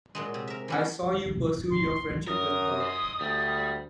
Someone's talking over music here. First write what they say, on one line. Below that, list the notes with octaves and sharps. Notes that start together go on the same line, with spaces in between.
I saw you pursue your friendship with her.
A#2 F#3 G#3
C3
A#4 E5
E3 G3 C#4
C6
F#2 A#4 D#6
C5 D#5
D2 G3